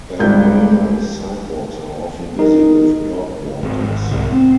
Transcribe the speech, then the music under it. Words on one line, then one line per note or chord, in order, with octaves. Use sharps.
Belgrano's sidewalks are often busy with dog walkers.
G#1 C#2 G3 G6
D#4 A#4
G#1
C2
C4